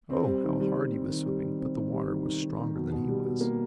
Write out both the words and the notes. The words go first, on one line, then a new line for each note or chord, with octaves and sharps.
Oh, how hard he was swimming, but the water was stronger than he was.
C4
G3
D#3
G3
G3
C4
D#3
G3
D#3
C4
D#3
G3
D#3
D#3
D#3
D#3
B2
B2
G3
B2
A#3